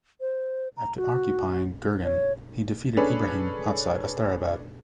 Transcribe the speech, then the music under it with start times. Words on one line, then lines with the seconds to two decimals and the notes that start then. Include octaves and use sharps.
After occupying Gurgan, he defeated Ibrahim outside Astarabad.
0.21 C5
0.77 A#5
0.97 F#4
2.04 C#5
2.97 C#4 D4 G#4 A4 B4